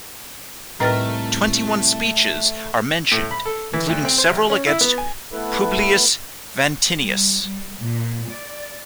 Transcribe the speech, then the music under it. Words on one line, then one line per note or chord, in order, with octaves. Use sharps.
Twenty-one speeches are mentioned, including several against Publius Vatinius.
C2 A2 D#3 A3 A#4 B4 A6
A2
B5
A4
E3
D2
C4
C5
A1
C#4
E4
B3
G#5
A3 B3 E4 A4 B4
G3
G3
A#2
D5